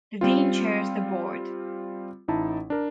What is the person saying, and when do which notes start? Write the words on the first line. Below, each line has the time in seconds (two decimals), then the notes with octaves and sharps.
The Dean chairs the Board.
0.21 G3 C4 F4
2.28 A1 D#4 E4 A5
2.70 D4 A#4